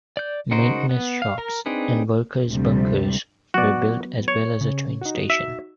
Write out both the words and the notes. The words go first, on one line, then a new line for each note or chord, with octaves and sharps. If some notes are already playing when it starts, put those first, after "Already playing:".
Maintenance shops and workers' bunkers were built as well as a train station.
D5 G6
C#3 D#4 F#4 A#4 C5
B3
F5
A#4 A#5
C4 D4 D#4 G#4 B4
D2 C3 F3 G3 A3
F#3 B3 F#4 D5
C#5
C#3
D#4 F#4
E5